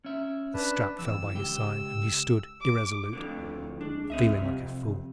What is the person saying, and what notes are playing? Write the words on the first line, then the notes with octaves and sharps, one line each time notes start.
The strap fell by his side, and he stood irresolute, feeling like a fool.
C#4 E5
D4 B4
F2 E3 E6
C#2 G4
D6
F2 A2 D3
D2
G#3 D4
C2 C4 D#5 E5
F2 C3